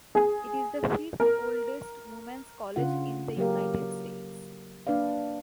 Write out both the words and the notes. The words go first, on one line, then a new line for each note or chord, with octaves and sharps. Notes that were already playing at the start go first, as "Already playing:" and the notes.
It is the fifth oldest women's college in the United States.
G#4
A#4
C#3 D4 F4 F#5
F#3 A#3 G4 A4 A#4 F5
A#3 D4 B4 D5 F5